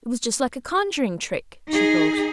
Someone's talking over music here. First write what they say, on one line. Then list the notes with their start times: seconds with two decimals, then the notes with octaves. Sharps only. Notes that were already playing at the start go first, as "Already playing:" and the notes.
It was just like a conjuring-trick, she thought.
1.68 D#4 G#4